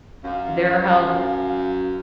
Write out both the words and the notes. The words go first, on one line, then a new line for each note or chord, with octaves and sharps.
their health
F#2 F5